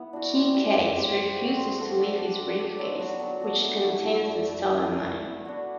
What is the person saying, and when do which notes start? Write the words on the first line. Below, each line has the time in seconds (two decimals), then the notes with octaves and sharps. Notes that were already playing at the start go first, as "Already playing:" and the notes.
Keycase refuses to leave his briefcase, which contains the stolen money.
Already playing: B3 E4
0.13 D4 F#4
0.34 C4
0.55 G4 C5
0.75 C4
0.96 G4 C5
1.16 C4
1.36 F#4 A4 C5
1.57 C4
1.77 F#4 A4 C5
1.98 D4
2.17 A4 D5
2.39 D4
2.59 A4 D5
2.79 F#3
2.99 B3 D4 F#4
3.20 F#3
3.41 B3 D4 F#4
3.62 A3
3.81 E4 A4 E5
4.02 A3
4.22 E4 A4 E5
4.43 A3
4.63 E4 B4
4.85 A3
5.04 E4 B4
5.25 B3
5.45 D4 F#4